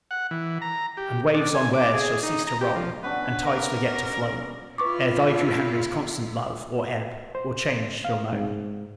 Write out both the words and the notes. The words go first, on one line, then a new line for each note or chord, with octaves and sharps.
And waves on wares shall cease to roll, And tides forget to flow; Ere thy true Henry's constant love, Or ebb, or change, shall know.
F#5
E3
A#5
G4
D4
G#5
D6
G#4
D#4
A#5
G4
F3
B3 C#4 D4 B4
A#4
E4 F4 B4 C#6 D6
C5
F5
G#2